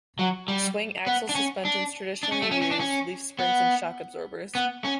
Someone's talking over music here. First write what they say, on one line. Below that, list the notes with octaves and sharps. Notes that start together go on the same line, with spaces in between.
Swing axle suspensions traditionally used leaf springs and shock absorbers.
F#3
G3
B3
D4
C#4
D4
D4
C#4
A3
C#4
C#4
D4
C#4
B3
B3
C#4